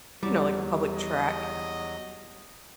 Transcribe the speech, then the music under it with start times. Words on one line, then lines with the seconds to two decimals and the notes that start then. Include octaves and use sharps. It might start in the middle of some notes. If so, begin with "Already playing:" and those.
you know, like a public track
0.23 E2 F#3 G3
0.95 D#5